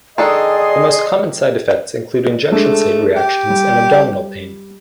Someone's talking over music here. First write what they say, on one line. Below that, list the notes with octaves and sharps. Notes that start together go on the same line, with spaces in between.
The most common side effects include injection site reactions and abdominal pain.
D#3 D4 G#4 A4 D5 D#5 C6
G#3 A3 D4 A4
G4
G3